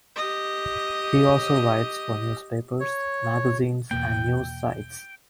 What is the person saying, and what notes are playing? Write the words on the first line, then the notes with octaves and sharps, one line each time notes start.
He also writes for newspapers, magazines and news sites.
G4 D#5
C#5
E2 B2 A#3 G5